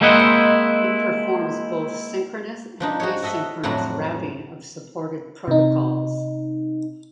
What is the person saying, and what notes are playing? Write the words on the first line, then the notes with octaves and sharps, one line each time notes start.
It performs both synchronous and asynchronous routing of supported protocols.
G#3 A#3 C4 E4 D#5 F#5
F3 D4 D#4
F#4 G#4 C#5
F#4 A4 D#5 E5 F#5
F2 A2 F#3 D4 F#5
C3 D#4